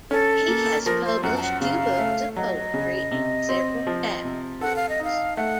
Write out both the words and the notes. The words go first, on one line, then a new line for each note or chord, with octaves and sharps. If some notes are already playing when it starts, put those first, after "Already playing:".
He has published two books of poetry and several chapbooks.
C#4 A4
A#3
F3 A#4
C5
F#2 F#5
A5
F#5
C#3 F5
A3
F#3 D#5
C#3
C3
C4
F3
C3
A4 F#5
F5
D#5
D#4 F5
A3 F#5